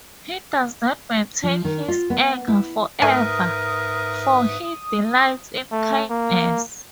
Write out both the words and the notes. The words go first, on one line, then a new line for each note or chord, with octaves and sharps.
He does not maintain His anger forever, for He delights in kindness.
F3
D#3
F4
B3
E4
G#2 A3 A#4 B4 E5 G#5 D#6
A3
A#3